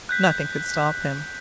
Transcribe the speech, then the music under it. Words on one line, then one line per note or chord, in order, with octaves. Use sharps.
Nothing could stop him.
F#6 G6 B6